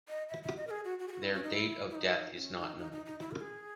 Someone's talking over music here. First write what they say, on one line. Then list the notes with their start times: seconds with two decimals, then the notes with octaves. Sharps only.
Their date of death is not known.
0.09 D#5
0.29 E5
0.43 E5
0.57 D#5
0.67 A#4
0.71 G#4
0.85 F#4
0.99 F#4
1.08 G#4
1.12 F#4
1.23 E4
1.33 C#4
1.43 D#4
1.54 E4
1.90 E4
1.95 D#4
2.37 C#4
2.58 D#4
2.78 D#4
2.92 D#4
3.06 D#4
3.20 E4
3.31 A#4
3.41 G#4